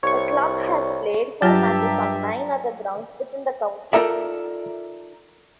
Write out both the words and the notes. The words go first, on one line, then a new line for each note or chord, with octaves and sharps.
The club has played home matches on nine other grounds within the county.
C2 C#5 C#6
G2 F#3 F4 G4 E5 A5 A#5
D#4 F4 A4 A#4 D5 E5